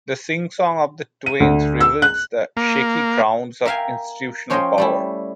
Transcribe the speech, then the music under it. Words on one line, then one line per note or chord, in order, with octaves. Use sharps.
The singsong of the twins reveals the shaky grounds of institutional power.
D#7
D2
E6
F#6
A#3
A#4 E5 F5 G5 G#5
F3 C#4 C5 C#5 D#5 G5
G3 A3 E4